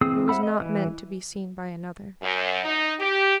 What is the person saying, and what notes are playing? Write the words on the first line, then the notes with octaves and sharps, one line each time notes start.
It was not meant to be seen by another.
E3 C4 G#4 D#6 E6
C5 E5 F#5 B5 E6
D#5
E3
F#2
D#4
G4